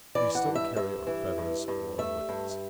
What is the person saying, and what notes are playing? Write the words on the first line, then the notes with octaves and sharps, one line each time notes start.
We still carry our fetters along with us.
E3 D5
F#5
G2
E5
G2 E5
E3
G2
G2
A3 E5
G2